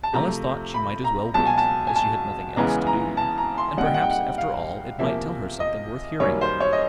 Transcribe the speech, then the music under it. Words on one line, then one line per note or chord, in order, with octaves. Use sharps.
Alice thought she might as well wait, as she had nothing else to do, and perhaps after all it might tell her something worth hearing.
A5
C3 F3 A3 A#5
B5
A#5
C#2 B2 F#3 A5
G#5
A5
G#5
A5
E2 C#3 E3 G#3 B3 A#5
A#5
A5
A#5
C6
A#2 G3 C4 D#4 F#5
G5
F#5
G5
F#5
F5
E2 C3 F3 A#3 E5
D#5
F#2 D#3 G3 A#3 C#5
C5
C#5
D#5